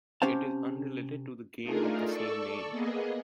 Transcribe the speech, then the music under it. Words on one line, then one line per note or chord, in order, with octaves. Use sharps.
It is unrelated to the game of the same name.
C3 C#4 G4 C5 F5 A5
A3 D4 D#4 F4 G#4 A#4
A4 D5 C#6 E6
A#3 B3 G#4 D#5